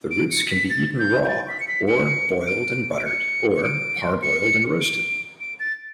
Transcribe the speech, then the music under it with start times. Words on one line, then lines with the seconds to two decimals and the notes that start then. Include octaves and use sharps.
The roots can be eaten raw or boiled and buttered or par-boiled and roasted.
0.11 D7
0.31 C#7
0.50 B6
0.70 A6
0.99 G6
1.25 G6
1.28 A6
1.48 B6
1.60 C#7
1.68 B6
1.88 C#7
2.47 D7
2.98 D7
3.05 C#7
3.56 C#7
3.63 D7
4.23 C#7
4.81 D7
5.40 D7
5.60 A6